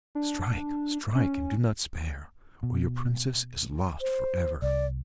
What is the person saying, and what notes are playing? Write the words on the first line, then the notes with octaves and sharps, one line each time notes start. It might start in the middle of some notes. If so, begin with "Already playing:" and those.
"Strike! strike! and do not spare, or your Princess is lost for ever!"
D4
C#4
B2
C5
C2 D5